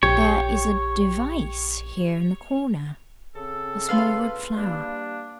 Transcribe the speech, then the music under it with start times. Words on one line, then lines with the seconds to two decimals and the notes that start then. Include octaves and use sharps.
"There is a device here in the corner, a small red flower . . ."
0.03 A#1 G4 C#5
3.35 C#3 C4 A4
3.89 F4 B4 F5
4.56 G3 A#3 D4